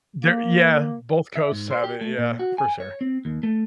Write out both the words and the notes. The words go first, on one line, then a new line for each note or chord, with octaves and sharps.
There yeah, both coasts have it. Yeah, for sure.
A#3
E5
G#2
C5
G4
A3
A#2
F#4
G#5
C#5
C4
D#2
A3